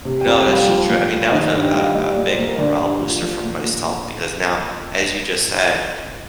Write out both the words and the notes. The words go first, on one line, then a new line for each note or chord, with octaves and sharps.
No, that's so true. I mean, that was a a a big morale booster for myself, because now, as you just said,
C3
G5
F2
G3
F5
F3
A#2
A#2
D#3 D#5
G2 D#5
G5
G3
F5
G3 D#5
D5
A#2
C5
A#2 A#4
D3 D5
G2
F3
F3
A#2
A#2